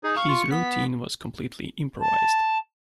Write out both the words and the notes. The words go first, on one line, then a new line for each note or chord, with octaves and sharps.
His routine was completely improvised.
D#4 G#4
F5 C#6
F4
B3 B6
A5